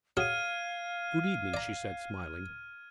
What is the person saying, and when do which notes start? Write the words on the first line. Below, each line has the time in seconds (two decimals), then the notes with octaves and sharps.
"Good-evening," she said, smiling.
0.17 C#4 F#4 G#4 F5 F6 G#6 D#7
1.54 D5 A#5